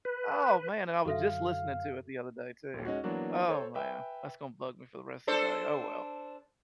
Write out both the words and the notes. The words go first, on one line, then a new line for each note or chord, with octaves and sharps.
Oh, man. And I was just listening to it the other day too. Oh, man. That's gonna bug me for the rest of the day. Oh, well.
B4
F#2 D3 F#4 A4 E5 F5
A#1 D#2
G#3 C#4 D#4 F#4
E3 F#3 A#3 B3 D4 F#4
A4 C5 C#5
B4 E5 G5 G#5
D4 A4 C5